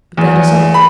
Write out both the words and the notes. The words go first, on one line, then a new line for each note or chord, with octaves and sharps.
But that is all.
E2
B5